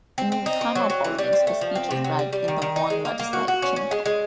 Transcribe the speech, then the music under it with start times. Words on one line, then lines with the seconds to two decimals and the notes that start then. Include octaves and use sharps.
In unicameral parliaments, the speech is read in the one legislative chamber.
0.18 C4
0.32 C4
0.46 D#4
0.61 C4
0.75 F#3
0.90 F#3
1.04 E3
1.18 G3
1.33 C4
1.47 A3
1.61 F3
1.75 C4
1.91 C3
2.04 F#3
2.19 G3
2.33 G3
2.48 D#3
2.62 D#3
2.76 D#4
2.90 G#3
3.05 A#3
3.19 A#3
3.33 F#4
3.48 F#4
3.62 C#4
3.76 C#4
3.91 G#3
4.06 G#3